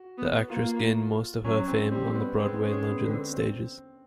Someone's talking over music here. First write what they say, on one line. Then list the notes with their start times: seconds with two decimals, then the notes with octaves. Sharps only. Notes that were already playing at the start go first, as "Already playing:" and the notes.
The actress gained most of her fame on the Broadway and London stages.
Already playing: F#4
0.18 B3
0.49 A#3 F4
1.44 F#3 C#4
1.68 C4
1.91 G3 C4
2.07 C4
2.15 B3
2.38 G#3 C4
2.63 C#4
2.71 G#3
2.86 B3
3.03 D3
3.10 C4
3.34 C4